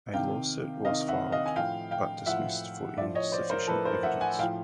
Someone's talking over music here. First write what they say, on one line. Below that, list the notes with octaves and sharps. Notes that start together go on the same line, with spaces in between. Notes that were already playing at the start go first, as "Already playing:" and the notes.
A lawsuit was filed but dismissed for insufficient evidence.
C3 D#3 F5 G5
C3 D#3 D#5 F5
E5 F#5
D#5 F5
G#5
A2 F3 F5 G5
F5 G5
A2 F3 E5 F#5
A2 F3 D5 E5
C#5 D#5
C5 D5
A#4 C5
A2 F3 A4 B4
A#4 C5
E5 F#5
F#5 G#5
A2 F3 F5 G5